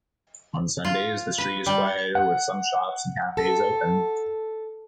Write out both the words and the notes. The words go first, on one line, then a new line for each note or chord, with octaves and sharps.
On Sundays the street is quieter, with some shops and cafes open.
F4
B4
G3
F#5
A4